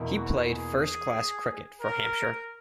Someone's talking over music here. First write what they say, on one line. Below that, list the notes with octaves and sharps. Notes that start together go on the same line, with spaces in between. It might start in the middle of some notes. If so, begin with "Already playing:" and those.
He played first-class cricket for Hampshire.
Already playing: E2 B2 A#3 E4
F#4
G#4
A#4